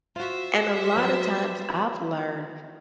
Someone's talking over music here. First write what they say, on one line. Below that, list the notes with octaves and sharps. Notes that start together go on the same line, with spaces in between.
and a lotta times I've learned
F4 F#4 C5 E5
F#3 B3 G5